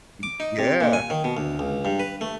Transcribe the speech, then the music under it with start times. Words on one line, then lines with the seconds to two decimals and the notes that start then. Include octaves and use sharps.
Mm, yeah.
0.23 D6
0.40 D#4
0.59 C3
0.81 A#2
0.93 G#5
1.10 D#3
1.24 B2
1.37 D2
1.59 C#2
1.85 G2
2.00 B4
2.21 A3